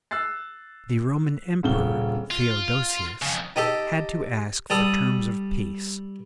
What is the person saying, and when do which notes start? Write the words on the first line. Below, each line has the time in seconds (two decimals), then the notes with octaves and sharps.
The Roman Emperor Theodosius had to ask for terms of peace.
0.11 E6 F#6 A6 C7
1.63 D#1 C#3 G7
2.31 F4
3.22 F2 C#3
3.56 D#4 G4 A4
4.70 G3 A4 D#6